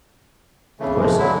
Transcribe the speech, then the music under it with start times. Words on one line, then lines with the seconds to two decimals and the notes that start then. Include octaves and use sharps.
Of course.
0.80 C#3 E3 A3
1.00 F3 G#3
1.19 D3 E3 F#3 E4